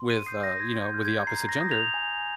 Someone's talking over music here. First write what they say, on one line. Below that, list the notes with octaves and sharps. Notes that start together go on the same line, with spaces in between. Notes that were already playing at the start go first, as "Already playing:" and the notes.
with, uh you know, with the opposite gender,
Already playing: C6
D#7
D#6 G6 C7
A#6
C6 G#6
G6
F6
G#6
A#5 C7
A#6
D#6 G6
F7
G#5